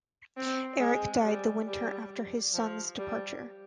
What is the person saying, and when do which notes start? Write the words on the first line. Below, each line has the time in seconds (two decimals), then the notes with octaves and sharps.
Erik died the winter after his son's departure.
0.37 C4
0.80 G#3
1.24 G3
1.67 G3
2.54 F3
2.99 G3